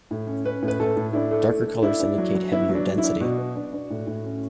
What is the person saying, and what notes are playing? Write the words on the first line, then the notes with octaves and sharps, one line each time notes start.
Darker colors indicate heavier density.
A2
C#4
C#4 B4
A2
B4
A2 A4
A2
D4 E4
A3
A3
A3
D4 E4
D4
F#3
F#3
B3 E4
F#3
D4
F#3
E4
D4
B2 F#4
B3
D4
D4
A2
A2
C#4